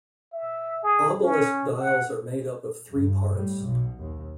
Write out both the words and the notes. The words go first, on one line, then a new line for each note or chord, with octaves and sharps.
Obelisk dials are made up of three parts.
E5
G#4
C#4
F#5
G2
A2 G3
B1 B2
D#2